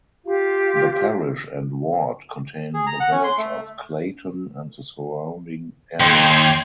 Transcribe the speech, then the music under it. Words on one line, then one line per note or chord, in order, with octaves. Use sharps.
The parish and ward contain the village of Clayton and the surrounding area.
F4 G4 F5
G#4
A#5
F#5
C#4
C6
A3
D#2 G5 C6 G#6